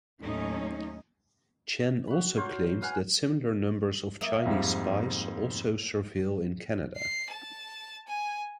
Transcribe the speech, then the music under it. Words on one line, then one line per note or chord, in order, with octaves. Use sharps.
Chen also claimed that similar numbers of Chinese spies also surveil in Canada.
D#2 A2 F#3 A3 C#4 D#4
F#4 B5
F#3 C5 F5
B4 F5 F#5 G#5
A#3 D#5 E5
F2 G#2 G3
C7
A5
G#5